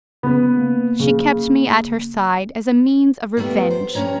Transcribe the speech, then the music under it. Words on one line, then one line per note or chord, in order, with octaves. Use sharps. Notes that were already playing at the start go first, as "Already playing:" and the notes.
She kept me at her side as a means of revenge.
C#3 B3 C#4 B4
A#3
C#3
D#3 G3 A3 B3 A#4
C5
G2 E3 C#4 C#5 A#5